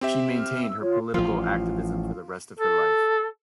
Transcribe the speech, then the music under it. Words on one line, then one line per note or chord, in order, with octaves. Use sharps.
She maintained her political activism for the rest of her life.
C4 G4 E5
F6
E6
F4 C#5
A1 F3 F4
A4